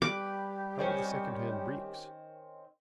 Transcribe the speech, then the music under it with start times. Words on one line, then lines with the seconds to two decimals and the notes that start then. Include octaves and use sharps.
How are the secondhand breeks?
0.02 G3 G4 B4 D6
0.79 D#3 C4 C#4